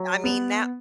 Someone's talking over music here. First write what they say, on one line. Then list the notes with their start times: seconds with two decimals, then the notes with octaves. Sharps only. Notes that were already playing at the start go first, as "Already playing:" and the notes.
I mean that
Already playing: F#3
0.24 B3